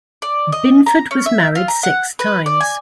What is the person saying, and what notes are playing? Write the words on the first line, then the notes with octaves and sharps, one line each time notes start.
Binford was married six times.
D5
D#5
A#5
C#4
E5
F4
A#5
F#5
B4
D5
G#5